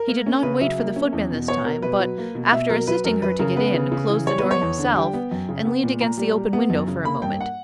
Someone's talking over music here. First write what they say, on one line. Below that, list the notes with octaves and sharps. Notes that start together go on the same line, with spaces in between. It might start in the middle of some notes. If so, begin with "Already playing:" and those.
He did not wait for the footman this time; but, after assisting her to get in, closed the door himself, and leaned against the open window for a moment.
Already playing: A#4
A#3
C#4
C#3 B4
F#3 E5
A#3
C#4
E2
B2
B3 C#5
B2 A#4
B2 B4
F#3
A#3
B2
B2 E5
F#3 A#4
F#3 B4
F#2 A#4
F#2 B4
C#3 A#4
B3 B4
C#3
C#3
E3
G3 C#5
B3 B4
C#5
E2
D3
G3 G5
B3
F#2
C#3
B3
A#2
A#2 A#5
G3
G3
B3
F#2
C#3
A#3 B5
G2 G5
F#5